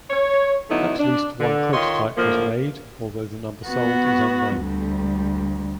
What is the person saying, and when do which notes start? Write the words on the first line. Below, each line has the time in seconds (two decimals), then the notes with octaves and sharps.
At least one prototype was made although the number sold is unknown.
0.10 C#5
0.70 D3 F#3 A3 B3 D#4 E4
0.99 D4
1.40 D3
1.73 D#3 F4 C#5 D#5 C6
2.17 A2 D3 F3 A#3
3.67 B3 F#4
4.59 D2 G3